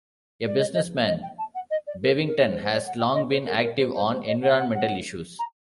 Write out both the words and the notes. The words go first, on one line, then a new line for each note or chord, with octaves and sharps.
A businessman, Bevington has long been active on environmental issues.
D5
D#5
D#5
D#5
G5
A5
F#5
D#5
D5
A#4
A#4
C5
C5
D5
F#5
G5
D#5
C5
A#4
A#4
C5
C5
C5
D#5
F#5
F#5
F#5
A#5